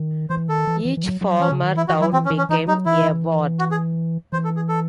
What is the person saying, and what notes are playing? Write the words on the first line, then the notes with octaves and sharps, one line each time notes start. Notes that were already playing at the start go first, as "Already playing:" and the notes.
Each former town became a ward.
Already playing: D#3
E3 C5
D#3 A4
E3
E3
E3
F#3
F#3
E3 C#4
C#3
D#3
E3 E4
E3 F#4
F#3 E4
E3 C4
C#4
E3
C#4
E3 D#4
F#3 D#4
E3 E4
F#4
G#4
E3 C5
A4
G#4
A4